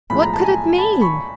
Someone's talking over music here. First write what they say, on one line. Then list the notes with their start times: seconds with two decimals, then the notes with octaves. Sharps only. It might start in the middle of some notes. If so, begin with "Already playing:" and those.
What could it mean?
0.10 B1 A2 F3 G#3 B5
0.22 A#5
0.33 A5
0.44 G#5 A#5
0.78 A5 B5
1.01 B5 C#6